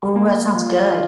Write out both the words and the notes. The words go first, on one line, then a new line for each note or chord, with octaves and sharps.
Ooh, that sounds good.
A#3
F4